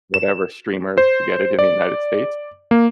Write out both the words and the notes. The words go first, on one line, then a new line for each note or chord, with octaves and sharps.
whatever streamer to get it in the United States,
E7
C5
D5
A#3